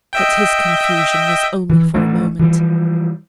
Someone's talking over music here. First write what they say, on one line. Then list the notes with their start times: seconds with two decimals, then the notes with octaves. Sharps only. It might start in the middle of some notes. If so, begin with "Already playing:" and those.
But his confusion was only for a moment.
0.13 D#5 E5 G5
1.69 E3
1.94 A1 A3 D4
2.39 E3 F3 G3